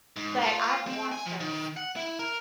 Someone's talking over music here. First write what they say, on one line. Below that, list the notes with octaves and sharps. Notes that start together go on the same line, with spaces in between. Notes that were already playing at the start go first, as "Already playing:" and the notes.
But I've watched those
G#2
F4
C4
G#5
F3
D#3
F#5
E4
A#4